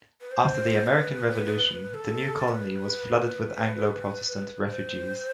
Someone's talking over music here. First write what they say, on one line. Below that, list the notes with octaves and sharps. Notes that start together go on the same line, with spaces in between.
After the American Revolution, the new colony was flooded with Anglo-Protestant refugees.
B4
C5
B4
A4
B4
C5